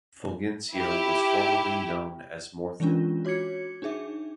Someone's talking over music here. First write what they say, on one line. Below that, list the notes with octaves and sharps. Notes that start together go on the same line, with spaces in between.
Fulgencio was formerly known as "Morthon".
E4 G4
E3 G#3 C#4 D4 F4
F#4 C#5 D6 G#6 C#7
D4 D#4 G#4 E5 D6